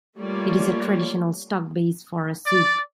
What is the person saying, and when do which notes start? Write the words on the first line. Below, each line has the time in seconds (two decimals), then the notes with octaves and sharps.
It is a traditional stock base for a soup.
0.18 G3 A3 A#3 F4 C#5 D5
2.45 D5